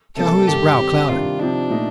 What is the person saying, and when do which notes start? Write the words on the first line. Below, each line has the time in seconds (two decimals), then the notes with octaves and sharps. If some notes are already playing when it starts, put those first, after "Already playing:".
Calhoun's brow clouded.
0.16 C3 G3 A#3 A4
0.47 G2 D#3 G3 G4
0.78 D#3 G3 C4
1.08 C3 D#3 G3 D4 F4
1.39 C3 F3 C4 D4 D#4
1.70 A#2 A3 D#4